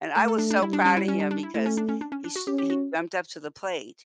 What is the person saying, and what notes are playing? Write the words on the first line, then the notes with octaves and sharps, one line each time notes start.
and I was so proud of him because he s he jumped up to the plate.
A3 A4
A4
D4
D4
G3 E4
D4
C#4
E4
C#4
D4
D4
E4
A3 E4
C#4
D4
C#4
D4
C#4
D4
F#4
C#4 G4
G4
F#4